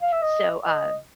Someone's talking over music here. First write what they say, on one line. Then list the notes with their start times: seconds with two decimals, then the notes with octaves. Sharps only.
So, uh,
0.01 F5
0.12 E5
0.22 D#5
0.65 D#5